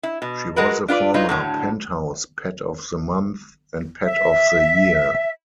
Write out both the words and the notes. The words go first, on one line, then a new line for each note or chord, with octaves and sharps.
She was a former "Penthouse" Pet of the Month and Pet of the Year.
E4
B2
G#3 F#4 A#4 B4
D4 F4 B4 D5
F#3 D#4 F4 B4
A2 D3 F#3
E5